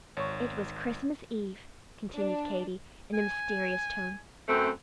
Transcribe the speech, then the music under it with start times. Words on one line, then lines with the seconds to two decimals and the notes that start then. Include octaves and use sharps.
"It was Christmas Eve," continued Katy, in a mysterious tone.
0.17 G#1 C#5 C#6
2.16 D4
3.14 G#5
4.47 F#2 A3 C4